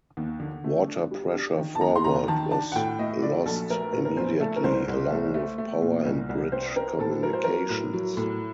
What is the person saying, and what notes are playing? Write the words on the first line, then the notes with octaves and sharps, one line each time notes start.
Water pressure forward was lost immediately, along with power and bridge communications.
D#2
D3
A3
D4
G3
D4
D#3
A5
D#2 A#5
C6
D#2 A#5
D#3 A5
D4 A5
F#5
A2 G5
A3 D#5
F#3 D5
A#1 A4
A3 A#4
A2 A#4
A#4
A#1 C5
A3 A4
A#4
C2 C5
C2
A3
A3
A3
A#2
C2
C2
C4 C5
C4 A#4
A2 A4
F#3 A#4
C5
F#3 A#4
A2
F#3
A2